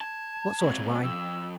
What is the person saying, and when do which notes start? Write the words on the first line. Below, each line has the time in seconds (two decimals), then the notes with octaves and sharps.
"What sort of wine?"
0.01 A5 G#6
0.61 G#2 C4
1.03 F2 E6